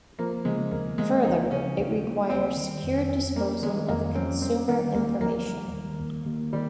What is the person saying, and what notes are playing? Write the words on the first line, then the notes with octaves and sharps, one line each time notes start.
Further, it requires secure disposal of consumer information.
F3 A#3
C#3 G#3
D#2 A#3
G#3 A#3
F3 D#4
C#3 C#4
D#2
A#3
G3 C4
D#3
F2
C#4
G3 A#3
D#3 G#3
F2 A#3
C4 C#4
G3 C4
D#3 A#3
D#2 A#3
D#2 A#3
G3
D#3
D#2
D#2
D#3 G3